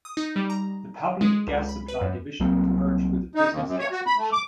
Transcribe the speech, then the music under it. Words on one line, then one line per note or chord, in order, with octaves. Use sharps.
The Public Gas Supply division was merged with the Business Gas division.
D#6
D#4
G3
A#5
G#3
C#2
B5
B4
F#2
C2 F#3 A#3 C4
D#4
D#2
F#2
C#5
F#4
B5
A3
D6